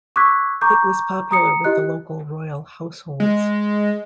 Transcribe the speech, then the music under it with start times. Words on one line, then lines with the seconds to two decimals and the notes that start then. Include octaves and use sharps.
It was popular with the local royal households.
0.16 C#6 D6 E6 F#6 G#6 B6
0.61 A#5 C#6 D6 G6
1.31 A#5 D#6 C#7
1.64 E4 G4 D#5 F#6
3.20 G#3